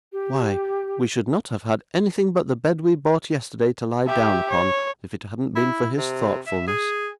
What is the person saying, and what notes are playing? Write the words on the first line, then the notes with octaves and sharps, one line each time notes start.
Why, we should not have had anything but the bed we bought yesterday, to lie down upon, if it hadn't been for his thoughtfulness!'
G4
G4 E5
C#5
E4
C3
E5
G#4